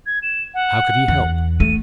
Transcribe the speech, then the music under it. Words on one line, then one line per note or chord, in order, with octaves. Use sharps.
How could he help?
G#6
E7
F#5
E2
A3 D#7